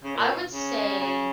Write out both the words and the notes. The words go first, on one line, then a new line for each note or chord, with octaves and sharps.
I would say
C#3
A#2
B2
C#3
C#3